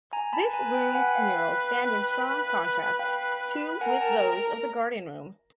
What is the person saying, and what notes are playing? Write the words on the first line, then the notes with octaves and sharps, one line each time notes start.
This room's murals stand in strong contrast to with those of the Garden Room.
G#5 A#5
A5 B5
B4 G#5 A#5
G5 A5
F#5 G#5
F5 G5
F5 G5
A#4 F#5 G#5
G5 A5